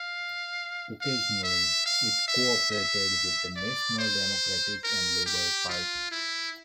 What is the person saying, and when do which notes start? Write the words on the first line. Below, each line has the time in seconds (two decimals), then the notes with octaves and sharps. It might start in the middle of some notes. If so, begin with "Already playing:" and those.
Occasionally, it co-operated with the National Democratic and Labour Party.
Already playing: F5
1.01 F5
1.44 E5
1.86 F5
2.28 E5
2.71 E5
3.56 D5
3.99 C5
4.84 A#4
5.26 G4
5.69 F4
6.11 E4